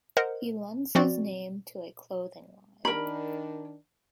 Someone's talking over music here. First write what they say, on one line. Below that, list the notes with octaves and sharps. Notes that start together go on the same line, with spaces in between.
He lends his name to a clothing line.
A#4 C5 D#5 F#5
F3 C4 F#4 D5
D#3 D4 A#4 B5